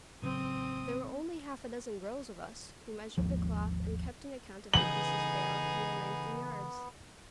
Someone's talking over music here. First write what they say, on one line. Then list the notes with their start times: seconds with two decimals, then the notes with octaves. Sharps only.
There were only half a dozen girls of us, who measured the cloth, and kept an account of the pieces baled, and their length in yards.
0.22 A1 C#3 F#3 C4 D#6
3.18 G#1 D#2 F3
4.74 C#3 E3 B3 D#4 G#4 F#7